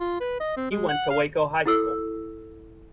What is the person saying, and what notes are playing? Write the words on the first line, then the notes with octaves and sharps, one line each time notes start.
He went to Waco High School.
F4
B4
D#5
C4
G#3
F#5
F5
E4 F#4 A4 E6